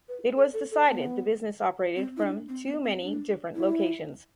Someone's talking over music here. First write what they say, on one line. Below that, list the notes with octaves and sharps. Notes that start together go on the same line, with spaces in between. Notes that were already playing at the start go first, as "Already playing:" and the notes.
It was decided the business operated from too many different locations.
B4
A4
A4
A4
B3
C4
E4
D4
C4
B3
C4
D4
E4